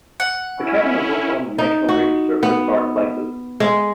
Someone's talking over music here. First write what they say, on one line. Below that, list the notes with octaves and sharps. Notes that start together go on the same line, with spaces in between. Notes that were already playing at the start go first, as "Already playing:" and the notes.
The Cabin is also on the National Register of Historic Places.
F#5
C#4 E4
D#4
F#4
B3
G#3